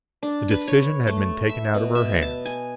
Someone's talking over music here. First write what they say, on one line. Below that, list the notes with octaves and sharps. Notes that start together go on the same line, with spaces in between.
The decision had been taken out of her hands.
D4
B4
C#5
A3
E5
B2
E5
A5
G#5